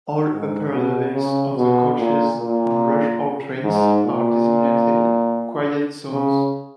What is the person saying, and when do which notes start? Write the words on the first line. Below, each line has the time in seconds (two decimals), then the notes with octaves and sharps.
All upper levels of the coaches on rush hour trains are designated "Quiet Zones".
0.32 G#2
0.73 B2
1.14 C#3
1.56 B2
1.98 A#2
2.39 A#2
3.63 G#2
4.05 A#2
6.12 C#3